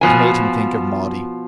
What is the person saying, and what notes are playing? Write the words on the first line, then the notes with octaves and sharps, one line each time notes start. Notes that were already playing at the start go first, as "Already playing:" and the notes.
It made him think of Maudie.
B2 F3 G#5